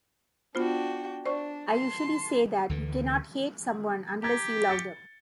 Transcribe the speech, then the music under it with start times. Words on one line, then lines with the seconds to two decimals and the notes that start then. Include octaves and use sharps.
I usually say that you cannot hate someone unless you love them.
0.55 B3 D4 F4 F#4 C5 G5
1.26 D4 C5 D5 C#6
1.70 A5 C6
2.69 D2 D3 E3
4.23 G4 A#5 G#6 A6
4.69 A6 C#7 G7